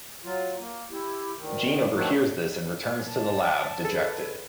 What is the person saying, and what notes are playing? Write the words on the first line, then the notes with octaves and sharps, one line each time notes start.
Gene overhears this and returns to the lab, dejected.
F#3 F4
A#3
E4 G4
D2 D#3
D#3 F3 F#3 A3 A#3 D4
A5
G#4 A4 B4